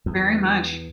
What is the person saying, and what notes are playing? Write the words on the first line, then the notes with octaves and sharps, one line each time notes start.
Very much.
E2